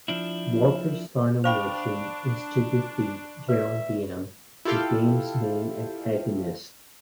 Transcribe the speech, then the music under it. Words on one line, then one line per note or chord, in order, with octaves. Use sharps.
Walkers's final mission is to defeat General Diem, the game's main antagonist.
F3 D4 E4
D4 C5 F5 G5 B5 C#6 F7
B4 D5 E5
E4 F4 G4 A4 F5 G5